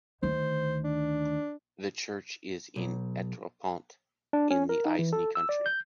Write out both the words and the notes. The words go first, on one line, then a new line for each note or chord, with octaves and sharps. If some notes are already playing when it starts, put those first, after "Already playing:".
The church is in Étréaupont, in the Aisne county.
D2 D#3 C5
D4
B1
D4
C#4
A#4
D#4
E3
A4
E6
D5
G6